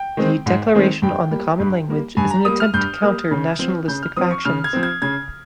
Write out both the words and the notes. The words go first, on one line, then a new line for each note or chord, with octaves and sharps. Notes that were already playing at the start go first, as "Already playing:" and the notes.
The "Declaration on the common language" is an attempt to counter nationalistic factions.
Already playing: G5
D#3 G#3 C4
G#2
D#3 G#3 C4
G2 G5
G3 A#3
G2
G3 A#3
G2 G#5
A#5
G3 A#3 D#6
F6
G2 G6
G3 A#3
C#3
F3 C4
C#3 G6
F6
F3 C4 D#6
C#6
C#3 F6
G#6
F3 C4
G#6
C#3 G#6